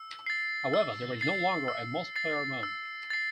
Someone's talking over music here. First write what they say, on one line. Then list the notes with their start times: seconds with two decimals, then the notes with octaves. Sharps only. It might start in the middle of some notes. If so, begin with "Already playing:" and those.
However, there is no longer a multiplayer mode.
Already playing: E6
0.26 A6 C7
0.74 E6
1.21 A6 C7
1.68 E6
2.16 A6 C7
2.63 E6
3.10 A6 C7